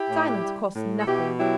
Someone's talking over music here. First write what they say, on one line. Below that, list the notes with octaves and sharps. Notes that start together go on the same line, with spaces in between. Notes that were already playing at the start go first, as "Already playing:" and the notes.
Silence costs nothing.
Already playing: E4 G4
A2
G3
A2
A4
B2 E4 G4
F#3 E4 G4